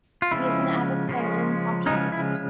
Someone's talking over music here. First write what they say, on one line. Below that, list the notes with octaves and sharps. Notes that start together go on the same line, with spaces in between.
He is an avid sailor and cartoonist.
F4
C#3 F3 G#3 C#4 E4
C#3 F3 G#3 C#4
C#3 F3 G#3 C#4 D#4
E4